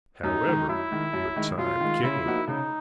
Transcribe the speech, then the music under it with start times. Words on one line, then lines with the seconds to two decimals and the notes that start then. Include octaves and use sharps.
However, the time came.
0.24 F#2 D#4
0.46 D#3 G#3
0.68 F#2 E4
0.91 D#3 G#3
1.13 F#2
1.36 D#3 G#3
1.58 F#2 F4
1.80 D#3 G#3
2.03 C#3 E4
2.26 F3 A#3 D#4 F#4
2.48 C#3 D#4